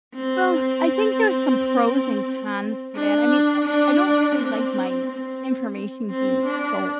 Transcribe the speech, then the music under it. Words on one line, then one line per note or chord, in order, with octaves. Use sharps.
Well, I think there's some pros and cons to that, I mean, I I don't really like my information being sold.
C4
D4
D4
C4
C4
C4
D4